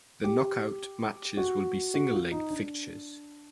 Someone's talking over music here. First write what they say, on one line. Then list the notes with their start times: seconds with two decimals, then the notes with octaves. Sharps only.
The knockout matches will be single leg fixtures.
0.24 G4
1.37 F#4
1.94 F#4
2.13 F4
2.31 D#4
2.50 D4